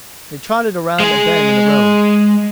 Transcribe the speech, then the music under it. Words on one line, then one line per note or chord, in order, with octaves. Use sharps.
They trotted around a bend in the road.
G#3 G#4